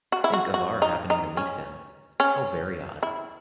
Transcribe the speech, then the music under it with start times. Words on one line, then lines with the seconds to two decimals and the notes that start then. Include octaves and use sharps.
Think of our happening to meet him! — How very odd!
0.12 F#4
0.24 E4
0.33 F#4
0.54 F#4
0.82 D#4
1.10 D#4
1.37 C#4
2.20 C#4
3.03 E4